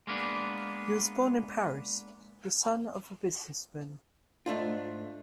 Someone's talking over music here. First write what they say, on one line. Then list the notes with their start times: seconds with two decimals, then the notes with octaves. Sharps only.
He was born in Paris, the son of a businessman.
0.07 G#3 A#3 B3 D4
4.46 G#2 A3 D4 F4